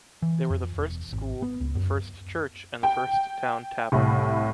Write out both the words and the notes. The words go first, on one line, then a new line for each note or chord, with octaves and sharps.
There were the first school, the first church and the first town tavern.
E3
F2
E1
G#1
B3
C#2
F#2
G5
C2 A2